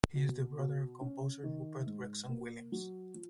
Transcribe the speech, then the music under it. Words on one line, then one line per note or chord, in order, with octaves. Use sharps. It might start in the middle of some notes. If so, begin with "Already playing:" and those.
He is the brother of composer Rupert Gregson-Williams.
B2
B2
C#4
D#3
G#2
A#3
F#3
F3